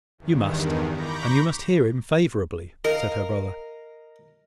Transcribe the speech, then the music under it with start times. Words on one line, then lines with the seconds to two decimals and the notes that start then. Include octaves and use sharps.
"You must; and you must hear him favourably," said her brother.
0.18 E2 G2 D#3
0.90 A#5 B5 C#6 D6 G6 A#6
2.84 A#4 D#5 F5